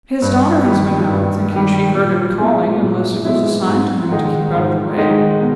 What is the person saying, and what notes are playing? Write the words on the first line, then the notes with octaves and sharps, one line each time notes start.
'His daughter has been out, thinking she heard him calling, unless it was a sign to him to keep out of the way.
G2
D#3 G3
G2
D#3 G3
A#2
G#3 B3 E4
A#2
G#3 B3 E4
G#2
D#3 G#3 D#4
G#2
D#3 G#3 D#4
B2